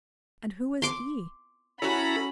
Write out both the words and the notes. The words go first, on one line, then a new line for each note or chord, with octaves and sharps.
And who was he?
C6 D6
C#4 E4 F#4 A4 A#5 B5